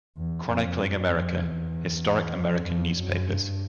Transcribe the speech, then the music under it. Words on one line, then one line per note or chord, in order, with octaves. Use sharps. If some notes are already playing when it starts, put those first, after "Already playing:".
Chronicling America: Historic American Newspapers.
E2
F2
F#2
F2
E2
F2
F2
F#2
G2